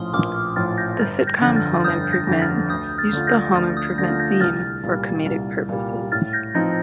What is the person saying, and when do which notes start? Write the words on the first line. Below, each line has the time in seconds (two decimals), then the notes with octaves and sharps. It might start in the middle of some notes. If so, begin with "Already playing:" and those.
The sitcom "Home Improvement" used the home improvement theme for comedic purposes.
Already playing: A#1 A2 F3 C6 D#6 F6
0.14 A#1 D6 F6
0.56 A2 F3 F6 A6
0.77 G6 A#6
0.99 G1 F6 A6
1.27 G6 A#6
1.42 F2 D3
1.56 F6 A6
1.84 G1 D#6 G6
2.13 G6 A#6
2.27 F2 D3
2.42 F6 A6
2.70 D2 D#6 G6
2.98 F6 A6
3.13 D3 A3 D4 F4
3.27 G6 A#6
3.55 D2 F6 A6
3.77 D#6 G6
3.98 D3 A3 D4 F4 G6 A#6
4.20 G6 A#6
4.40 C2 F6 A6
4.84 A#2 G3
5.26 C2
5.69 A#2 G3
6.12 A2 F6 A6
6.33 G6 A#6
6.54 F3 C4 D#4 G6 A#6